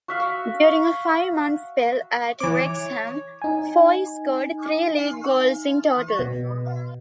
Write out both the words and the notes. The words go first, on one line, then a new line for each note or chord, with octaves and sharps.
During a five-month spell at Wrexham, Foy scored three league goals in total.
F#4 E5 F5
E3 C#5 D6
D#4 G#5
B2